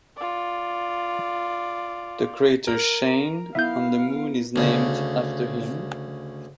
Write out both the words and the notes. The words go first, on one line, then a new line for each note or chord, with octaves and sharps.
The crater "Shayn" on the Moon is named after him.
F4 D5
A#4 A#5
B3 E4 E5 F5 G6
D2 C#3